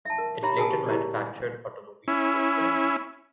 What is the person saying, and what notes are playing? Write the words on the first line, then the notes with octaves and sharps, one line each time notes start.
It later manufactured automobiles as well.
E5 A5
A#4
G4 C#5 E5 A#5 B5
G#4 A#4 G#5 A5 D#6
G4
E4 G4 A#4 C#5 D5
C#4 E4